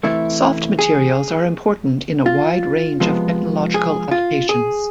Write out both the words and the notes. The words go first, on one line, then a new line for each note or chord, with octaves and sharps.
Soft materials are important in a wide range of technological applications.
C3 E3 A3 E4
G#4
F4
C3 F3 G#3 B3
G#4
F4
G#4